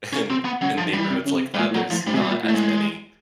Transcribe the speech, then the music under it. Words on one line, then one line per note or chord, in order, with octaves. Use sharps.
in in neighborhoods like that, there's not as many,
C#3 C#4
C3 C4
B3
C#3 F#3
D3
F3
D#3
E3 G3
C3
C#3
C3
G3
A#2 G#3
A2
A#2 F#3
A2 F3
G#2 G3
C3 G#3
B2
G3
A#2
A2
A3
G#3